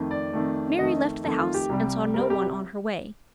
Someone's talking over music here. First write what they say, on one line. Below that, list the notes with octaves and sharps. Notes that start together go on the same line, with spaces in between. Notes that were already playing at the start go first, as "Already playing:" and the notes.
Mary left the house, and saw no one on her way.
Already playing: F2 D#3 A3
D5
F2 D#3 A3
F2 D#3 A3 D#5
F2 D#3 A3 A4
F4
G4
C2 C3 G3
C2 C3 G3 A#4
G4